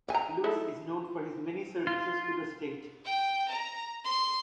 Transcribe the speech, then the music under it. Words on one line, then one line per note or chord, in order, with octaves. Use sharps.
Louis is known for his many services to the State.
G#5 A#5
D#4 E4 A4
F4
G5
A#5
C6